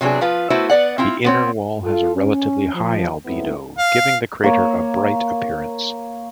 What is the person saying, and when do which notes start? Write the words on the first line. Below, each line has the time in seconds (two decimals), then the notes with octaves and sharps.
The inner wall has a relatively high albedo, giving the crater a bright appearance.
0.01 C3 F#3 B3 D4 G#4
0.21 F3 F4 B4
0.50 A3 B3 E4 F#4 C5 E5
0.70 B3 D5 F#5
0.98 C4 E4 F4
1.25 B3 C4 C#5
1.84 F4 A4
2.15 C#4
2.73 F3
3.25 G#2 F#3 A3 B3 C4 E4
3.78 F5
4.44 A#3 C#5